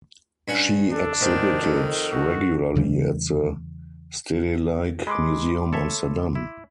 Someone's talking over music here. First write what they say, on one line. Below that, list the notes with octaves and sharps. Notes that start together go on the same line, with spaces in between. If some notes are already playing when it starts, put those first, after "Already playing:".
She exhibited regularly at the Stedelijk Museum Amsterdam.
G2 C#4 F#5
D4 A4
G#2 D#3 C5
F2 A4
F#4
E2 C#3 E3 G3
G#3 B5 C6 D6
A4 C#5 E5
E4